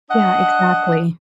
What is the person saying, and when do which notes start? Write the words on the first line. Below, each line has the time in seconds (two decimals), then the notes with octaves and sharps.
Yeah. Exactly.
0.10 D4 D#5 F#5